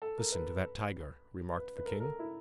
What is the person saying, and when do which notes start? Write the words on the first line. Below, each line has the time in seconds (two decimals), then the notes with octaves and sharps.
'Listen to that tiger!' remarked the king.
0.02 A4
0.18 A#4
0.32 B4
1.57 B4
1.78 B4
1.86 A#4
1.92 A4
2.00 A#4
2.19 E4